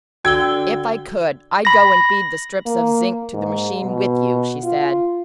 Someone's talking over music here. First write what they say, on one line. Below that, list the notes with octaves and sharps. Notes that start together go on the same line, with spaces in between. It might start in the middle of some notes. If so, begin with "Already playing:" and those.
"If I could, I'd go and feed the strips of zinc to the machine with you," she said.
D3 F#4 G5 E6 G#6 G7
B5 A#6
A#3
G#2
B2
F4